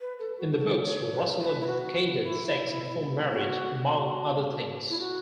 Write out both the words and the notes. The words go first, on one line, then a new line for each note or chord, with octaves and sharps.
In the books, Russell advocated sex before marriage, among other things.
B4
A4
F#4
A4
C#5
A4
B4
B4
E4
F#4
E4
F#4
F#4
E4
F#4